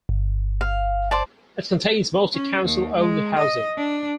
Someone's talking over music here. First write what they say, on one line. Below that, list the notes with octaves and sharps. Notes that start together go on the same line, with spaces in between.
It contains mostly council-owned housing.
G1
F5
C5 D5 A5
C#4
D#2
G#3
D#5
D4